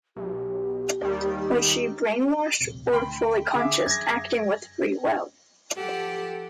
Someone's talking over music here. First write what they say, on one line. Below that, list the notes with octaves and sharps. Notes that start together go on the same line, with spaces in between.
Was she "brainwashed" or fully conscious, acting with free will?
B1 G4
D#2 D#3 G3
D1 A#1 C3
D2 G5 B5 C6
D3 G#4 E5 D6
F#2 G#6 A#6
F3 G4 A4 F#5 A5